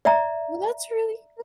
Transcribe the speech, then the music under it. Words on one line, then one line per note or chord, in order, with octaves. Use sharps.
Well, that's really
D5 E5 A#5